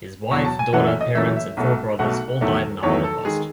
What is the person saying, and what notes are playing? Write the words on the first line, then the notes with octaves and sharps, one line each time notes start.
His wife, daughter, parents and four brothers all died in the Holocaust.
E2 B2 F#3 C#6
A5
G#5
F#1 F#2 E3 A3 F#5
E5
D#5
F#1 F#2 E3 A3 E5
E5
B1 B2 A3
B1 B2 A3 F#5
E2 D#3 F#3 A3
E2 D#3 F#3 A3 C#5
A4
D#3 G#3 G#4